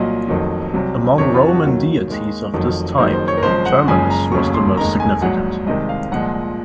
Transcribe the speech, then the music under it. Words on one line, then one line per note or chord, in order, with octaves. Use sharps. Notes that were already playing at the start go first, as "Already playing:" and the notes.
Among Roman deities of this type, Terminus was the most significant.
Already playing: C2 A#2 F#3 D#5
F1 F2 D#3 F#3
C2 C3 F#3
F2 C3 D#3 C#5
F4
F#4
D#2 D#3 F#3
D#2 D#3 G#3
F1 F2 D#3 F#3
F#1 F2 D#3 F#3 C5
C5
C#5
A#4
G#1 F#2 C#3 F3 G#3 C5
F#5
F#1 F#2 C#3 F3 G#3 G#5
A#5
F1 D#2 C#3 F#3 C#6
C6
F1 D#2 D#3 G#3 A#5
G#5
A#1 G#2 F#3 F#5
C2 C3 D#3 G#3 D#5
F5
C2 A#2 F3 G#3 F#5